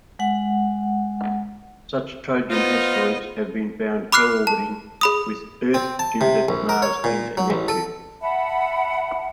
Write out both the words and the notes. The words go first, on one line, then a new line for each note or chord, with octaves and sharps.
Such 'trojan asteroids' have been found co-orbiting with Earth, Jupiter, Mars, and Neptune.
G#3 F#5
B3 D#4 F4 C5 D#5
B5 D6 F6 F#6 C7
A5
G#4 B5 D#6
C4
A5
C3
A#1
A#4
C#5
A#2
F#3
A1
A4
E5 F#5 A5 B5